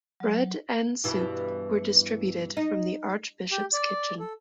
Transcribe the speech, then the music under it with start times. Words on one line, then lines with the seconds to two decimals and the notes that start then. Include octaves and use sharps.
Bread and soup were distributed from the archbishop's kitchen.
0.20 F#3
1.04 G2 B2 E3
2.57 D#4
3.50 G4
3.73 D5
4.19 A4